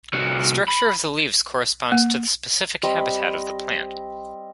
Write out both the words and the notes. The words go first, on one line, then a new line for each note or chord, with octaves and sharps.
The structure of the leaves corresponds to the specific habitat of the plant.
C2 F#4
B5
A#3
G3 C4 D#5 B5